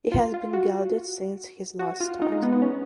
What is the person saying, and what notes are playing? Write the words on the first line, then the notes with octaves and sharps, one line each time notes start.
He has been gelded since his last start.
F4
F4
F#4
F#4
F4
D#4
G#3
B3
B3
C#4